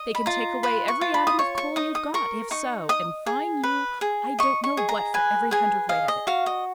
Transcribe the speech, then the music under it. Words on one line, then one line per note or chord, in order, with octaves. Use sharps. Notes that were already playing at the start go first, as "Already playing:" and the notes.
"They can take away every atom of coal you've got, if so, and fine you I don't know what for every hundredweight of it."
Already playing: D#5
B5
F4 A#5
B4 B5
C#6
F4
B5
D#6
C#5 C#6
C#6
D#4 D#6
D#6
A#4 C#6
D#4 C#6
D#5 D#6
G#4
B4
G#4
D#5 C#6
C#6
G#4
A#5
B4 G#5
G#4 G#5
D#5 F5
D#5
F#4 F5
D#5